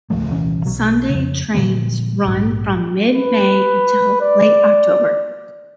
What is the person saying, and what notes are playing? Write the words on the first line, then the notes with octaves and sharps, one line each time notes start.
Sunday trains run from mid-May until late October.
G#1 C#2 F3 A3
D#1 C2 E3 C#4
B1 F#3
F2 C#3
A#2 D3 F3 A#3
A#1 G#2
B4
D5